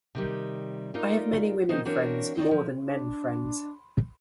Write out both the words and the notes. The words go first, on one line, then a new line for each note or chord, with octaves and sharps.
I have many women friends, more than men friends.
C3 D#3 G3
D#4 F4 A#4 D5
D#3 F3 B3 D#4 C5
E3 C4 D4 F#4 A#4 C#5
C4 D#4 C#5 D5
F3
D4